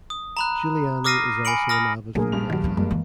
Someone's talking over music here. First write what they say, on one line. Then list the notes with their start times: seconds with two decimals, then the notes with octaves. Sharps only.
Giuliani is also an avid football fan.
0.10 D#6
0.37 A#5 B5 F#6
1.04 D6 D#6 F6 A#6 C7 D#7
1.45 G#5 B5 C#7 D7 F#7
1.69 B5 D#6 F6 A#6
2.15 A#1 F#3 A3 A#3 G#4 A#4
2.32 G2 F7
2.50 D#3 F#3
2.64 F3 B3
2.77 F#2 G#3 A#3
2.91 E3